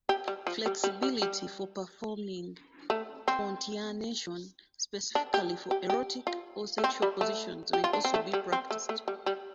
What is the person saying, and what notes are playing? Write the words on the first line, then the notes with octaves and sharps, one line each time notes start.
Flexibility for performing contortion specifically for erotic or sexual positions may also be practised.
G4
G3
F3
G3
G3
G3
G3
A3
C4
D4
G4
G4
G4
F4
A3
C4
G3
A3
G4
F4
D4
C4
A3
G3
C4
A3
A3
G3
G3